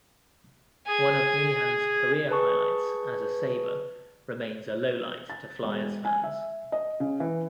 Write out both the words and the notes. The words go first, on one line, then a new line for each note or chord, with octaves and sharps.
One of Meehan's career highlights as a Sabre remains a lowlight to Flyers fans.
G#4 G#5
G#4 B4 A5 C#6
A6
E1
G#5
E5
D#5
C#3
E3